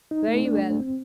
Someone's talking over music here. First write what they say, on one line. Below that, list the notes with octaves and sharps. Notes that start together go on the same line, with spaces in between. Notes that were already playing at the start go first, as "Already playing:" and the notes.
'Very well.
D#4
A3
D4
A3
C4